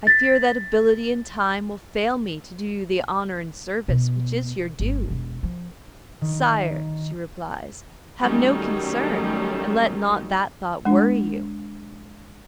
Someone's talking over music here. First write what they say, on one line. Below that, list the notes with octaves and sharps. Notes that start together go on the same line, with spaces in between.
I fear that ability and time will fail me to do you the honour and service which is your due." "Sire," she replies, "have no concern, and let not that thought worry you!
A6 B6
B2
G1
E1
F3
D#3
D#3 F#3 G3 A3 C#4 D#4
G#3 D4